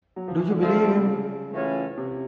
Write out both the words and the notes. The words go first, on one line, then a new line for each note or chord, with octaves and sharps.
Do you believe him?
F#3
F3
E3
D3
D3 F3 A3 C4 F4
C3
C#3
A2 E3 A3 C#4 F4
C3